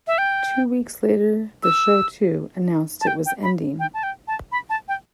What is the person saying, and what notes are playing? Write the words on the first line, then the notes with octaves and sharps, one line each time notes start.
Two weeks later, the show, too, announced it was ending.
E5
G5
E6
A5
G5
G5
B5
G5
A5
G5
A5
B5
A5
G5